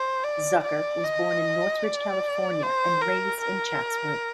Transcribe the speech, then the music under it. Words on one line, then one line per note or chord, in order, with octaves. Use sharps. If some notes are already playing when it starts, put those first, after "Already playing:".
Zucker was born in Northridge, California, and raised in Chatsworth.
Already playing: C5
D5
D5
D#5
D5
C5
A#4
A#4